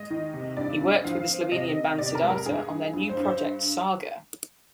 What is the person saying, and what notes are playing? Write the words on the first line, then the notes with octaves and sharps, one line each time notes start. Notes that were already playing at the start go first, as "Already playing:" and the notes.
He worked with the Slovenian band Siddharta on their new project Saga.
Already playing: G#3 D#5
D#3
C3
G2 D5
G2
F3 F5
C4
C3 D#5
C3
C3 D5
A#4
G#3
A#4
G2 G#4
G2
G2
C5
G2
C5